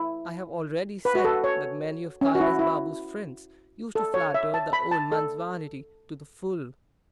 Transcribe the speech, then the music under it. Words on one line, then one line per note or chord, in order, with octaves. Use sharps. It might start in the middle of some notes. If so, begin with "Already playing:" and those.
I have already said that many of Kailas Babu's friends used to flatter the old man's vanity to the full.
Already playing: E4
B4
F#4
A4
C#5
C#4
F#4
E4
E4
A4
C#5
E5
A5
B5
A5
A4